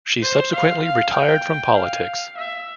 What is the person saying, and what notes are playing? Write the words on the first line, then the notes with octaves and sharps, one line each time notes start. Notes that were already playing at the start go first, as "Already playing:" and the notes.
She subsequently retired from politics.
C5
F5
F5
G5
F5
E5